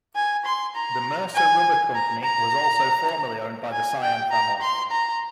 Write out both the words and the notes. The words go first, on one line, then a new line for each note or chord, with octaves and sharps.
The Mercer Rubber Company was also formerly owned by the Sayen family.
G#5
C6
A#5
G#5
A#5
A#5
G#5
G5
A#5
C6
A#5